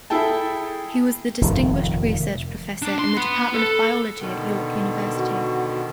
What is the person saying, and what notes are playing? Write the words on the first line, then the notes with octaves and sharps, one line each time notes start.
He was the Distinguished Research Professor in the Department of Biology at York University.
E4 G#4 A4 G5 A5
F1 A#2 D#3
D4
C6
B3
A4
B2 D3 D#3
F#4